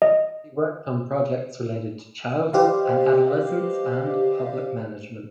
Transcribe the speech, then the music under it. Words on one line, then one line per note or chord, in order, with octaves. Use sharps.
She worked on projects related to childhood and adolescence and public management.
D#5
G4 B4 C5 D5 D#5 F5